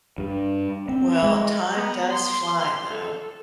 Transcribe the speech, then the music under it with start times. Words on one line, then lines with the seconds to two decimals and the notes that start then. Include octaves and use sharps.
Well, time does fly though.
0.18 G2
0.89 C4
1.23 G#3
1.75 B3 A#5
2.09 C6
2.90 A4